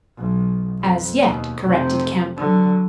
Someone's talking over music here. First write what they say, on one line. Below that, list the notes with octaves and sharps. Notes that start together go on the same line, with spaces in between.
"As yet," corrected Kemp.
B1
F2
D#2 B2
F1 C3
D3 F#3